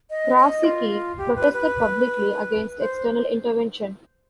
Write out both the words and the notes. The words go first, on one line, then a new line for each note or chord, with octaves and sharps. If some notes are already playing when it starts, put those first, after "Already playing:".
Krasicki protested publicly against external intervention.
D#5
D#5
F4
G4
B4
B4
C5